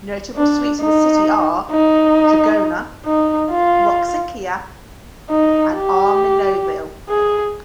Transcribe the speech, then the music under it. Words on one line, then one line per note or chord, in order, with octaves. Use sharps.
Notable sweets of the city are "Trigona", "Roxakia" and "Armenovil".
D4
D#4
D#4
D#4
F4
D#4
G4
G#4